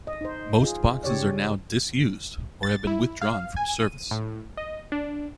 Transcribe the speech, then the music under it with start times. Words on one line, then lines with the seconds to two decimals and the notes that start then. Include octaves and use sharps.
Most boxes are now disused or have been withdrawn from service.
0.07 D#5
0.21 D#4 C5
0.62 F4 G#4
1.03 C#3 G4 C#5 D5
2.63 A6
2.87 E4
3.21 F5
3.57 G#5
3.77 D#7
4.11 A2
4.57 D#5
4.92 D4